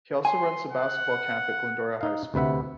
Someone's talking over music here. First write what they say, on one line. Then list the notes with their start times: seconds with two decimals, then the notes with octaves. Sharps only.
He also runs a basketball camp at Glendora High School.
0.25 G#5 C6
0.72 F#5
2.01 D#4 F5
2.34 D2 C3 B4 E5 F#5